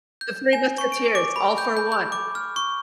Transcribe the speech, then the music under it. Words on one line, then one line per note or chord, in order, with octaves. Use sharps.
The Three Musketeers: "All for one."
G6
G#5
C#6
D7
D6
B5
G6
G6
G6
D6
F6
C#6